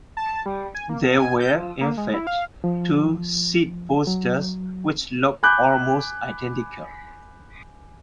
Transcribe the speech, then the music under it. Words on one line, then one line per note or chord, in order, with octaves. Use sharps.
There were, in fact, two "Seed" posters, which look almost identical.
A5
G3
G#5
A#3
B2
G#5
G6
F3
A#3
G#3
E4
F5
F3
F#3
G#5 B5 D6 F#6 G6